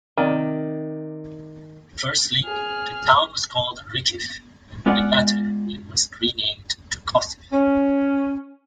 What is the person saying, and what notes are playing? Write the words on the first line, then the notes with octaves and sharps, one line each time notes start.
Firstly, the town was called Rykiv, and only latter it was renamed to Kosiv.
C3 D#3 D5
G#4 F6
G#3 B3 F4 D5 F#5
C#4